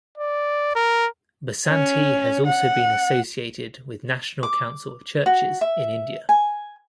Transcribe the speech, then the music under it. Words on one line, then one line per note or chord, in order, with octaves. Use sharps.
Basanti has also been associated with National Council of Churches in India.
D5
A#4
C#4
F#5
D6
F#4
E5
G#5